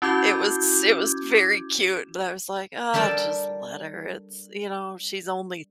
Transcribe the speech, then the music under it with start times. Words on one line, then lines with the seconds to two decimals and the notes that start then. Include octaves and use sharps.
it was it was very cute, but I was like, "Ah, just let her," it's, you know, she's only
0.02 C#4 E4 F#4 D6 G6 G#6
2.94 G3 D4 A4 A#4 A5